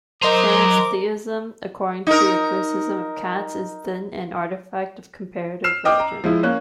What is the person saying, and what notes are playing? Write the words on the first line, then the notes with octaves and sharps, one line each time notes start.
"Transtheism", according to the criticism of Katz, is then an artifact of comparative religion.
F#3 A#4 C5 D#5 A#5 D6
D#4 A#4
E6 F6 C7 E7
D#5 G5 D6 F6
A#5
F3 G#3 E4
A#3 C#4 F#6